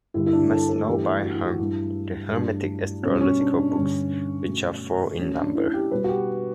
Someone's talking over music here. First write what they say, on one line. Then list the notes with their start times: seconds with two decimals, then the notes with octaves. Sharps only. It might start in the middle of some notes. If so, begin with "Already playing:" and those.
He must know by heart the Hermetic astrological books, which are four in number.
0.14 G2 D3 G3 E4
0.26 E4
0.33 D4
0.51 A4
0.69 A4
0.86 G2 E3 A3 G4
1.04 E4
1.23 F#4
1.33 E4
1.44 F#4
1.59 G2 F#3 A3 E4
2.31 G2 F#3 A3 D4
3.03 B2 G3 C#4
3.21 C#4
3.39 D4
3.57 D4
3.71 D4
3.75 G2 D3 G3 C#4
4.47 B2 F#3 A3
5.19 A2 F#3 A3 C#4
5.37 D4
5.55 E4
5.74 G4
5.91 B2 G3 B4
6.04 F#4
6.09 G4